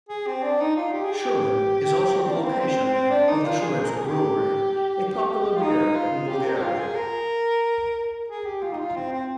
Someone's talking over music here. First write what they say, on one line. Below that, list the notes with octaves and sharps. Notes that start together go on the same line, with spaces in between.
Shumen is also the location of the Shumensko Brewery, a popular beer in Bulgaria.
G#4
C4
D4
D#4
F4
G4
G#4
G4
C4
D4
A#3
C4
C4
C4
C4
D4
D#4
F4
G#4
A#4
G#4
G4
F4
D#4
F4
G4
A#4
G4
F4
G#4
A#4
G#4
G4
F4
D#4
F4
C4
C4